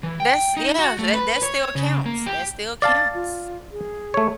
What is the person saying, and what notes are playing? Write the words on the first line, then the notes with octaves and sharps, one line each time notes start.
That's yeah, that that still counts, that still counts.
E3
G5
D#4
F#4
A3
B4
C#5
C#3
A#3
G4
D5 F5 A5 A6
F4
G#4
A3 C#5